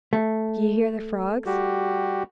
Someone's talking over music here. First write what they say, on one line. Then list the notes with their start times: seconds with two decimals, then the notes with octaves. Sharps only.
"Do you hear the frogs?"
0.13 A3
1.46 G3 F#4 G4